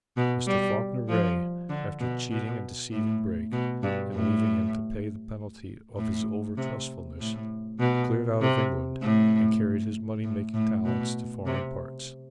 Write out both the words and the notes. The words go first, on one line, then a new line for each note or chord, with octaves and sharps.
Mr. Falkiner Wraye, after cheating and deceiving Brake, and leaving him to pay the penalty of his over-trustfulness, cleared out of England and carried his money-making talents to foreign parts.
B2
G3
F3
D3
B2
B2
A2
B2
G2
A2
A2
C3
A2
B2
C3
A2
A2
A2
B2
C3